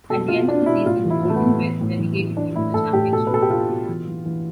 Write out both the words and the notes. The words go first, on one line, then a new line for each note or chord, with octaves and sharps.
At the end of the season, Bolton were relegated into the Championship.
B2 A4
B2 F4
B2 D4
B2 E4
A2 F4
E3
E4
A2
A3
B3
A2
E3
A2
E3
E3
E3 D4
A2 E4
A2 A4
A2 G4
B2 A4
B4
B2 A4
G4
B2 F4
B2
E3
E3
E3